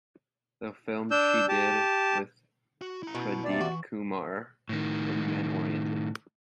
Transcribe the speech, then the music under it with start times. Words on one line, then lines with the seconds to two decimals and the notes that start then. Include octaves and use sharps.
The films she did with Pradeep Kumar were men-oriented.
1.11 D4 E6 G6
1.49 G4 A5
2.82 F#4
3.03 E4 A#5
3.15 B2
3.45 D#2 C3 D5
3.61 E3 F#4
4.69 A2 D#3